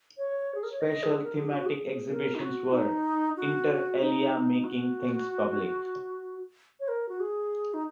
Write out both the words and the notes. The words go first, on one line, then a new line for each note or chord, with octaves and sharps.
Special, thematic exhibitions were, inter alia Making Things Public.
C#5
G#4
A#4
C#5
D#5
G#4
A#4
G#4
F#4
G#4
A#4
D#4
F#4
D#4
F#4
D#4
D#4
F#4
C#5
A#4
F#4
G#4
D#4